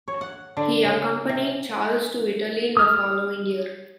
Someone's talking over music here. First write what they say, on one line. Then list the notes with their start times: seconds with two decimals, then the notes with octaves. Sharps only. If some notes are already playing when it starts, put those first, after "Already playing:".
He accompanied Charles to Italy in the following year.
0.08 C#5
0.21 F#5
0.57 D3
0.84 C#3
1.29 C3
2.77 D#6 F6